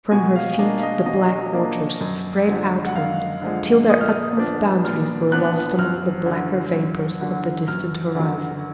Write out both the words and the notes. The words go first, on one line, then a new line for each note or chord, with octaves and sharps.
From her feet the black waters spread outward, till their utmost boundaries were lost among the blacker vapors of the distant horizon.
B2 G#5
F5
A#3 D4 D#5
F5
D#5
B2 D#5
A#3 D4
F#2
D3 F3 G#3
F#5
F#2 F5
D3 F3 G#3
A#2 D#6
F6
D#6
F3 B3 D4
A#2 F6
F3 B3 D4 F#6
F#2 F6
D3 F#3
F#2
D3 F#3
F#2 F6
D3 F#3